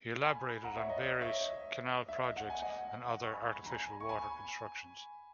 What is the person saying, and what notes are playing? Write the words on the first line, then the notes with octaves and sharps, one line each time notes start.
He elaborated on various canal projects and other artificial water constructions.
G#5 B5
F#5 A#5
C#5 E5
D#5
D#5
C#5 E5
D#5
E5
D#5
F#5
G#5
D#5 F#5
C#6
G#5 B5
A#5
G#5 B5
C#6
G#5 B5